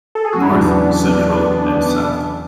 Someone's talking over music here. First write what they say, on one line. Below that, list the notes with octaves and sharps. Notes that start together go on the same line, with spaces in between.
North, Central and South.
A4
G#4
F#4
E4
E2 C#3 F#3 B3 D4